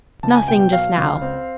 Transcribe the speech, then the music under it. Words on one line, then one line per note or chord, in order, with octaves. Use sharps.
'Nothing just now.
C#2 A5
G#5
B2 G5
G5
F#3 F5
C#2
C4